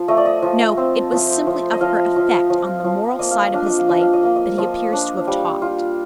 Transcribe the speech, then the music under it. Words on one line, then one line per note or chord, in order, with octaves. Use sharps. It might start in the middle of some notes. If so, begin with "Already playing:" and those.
No, it was simply of her effect on the moral side of his life that he appears to have talked.
Already playing: F3
A3 D#5
D5
D#5
F3
C4
F3
F3
D#5
F3 F5
F3
F3
F3
A#3 D#5
F5
D#5
D4 F5
D#5
F5
F3 D#5
F5
D#5
A#3 F5
D#5
F3 D#5
D4
G3
F4